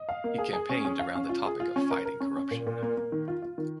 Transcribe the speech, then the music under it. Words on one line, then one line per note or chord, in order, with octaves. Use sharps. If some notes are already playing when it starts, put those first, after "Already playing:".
He campaigned around the topic of fighting corruption.
Already playing: D#5
F5
A#3
G#4
G#4
C#4
C#4
F5
C#4
F4
G#4
F4
C#4
A#4
A#4
C#4
C#4
A#2
A#2
A#3
A#3
D#3
F4
F4
D#3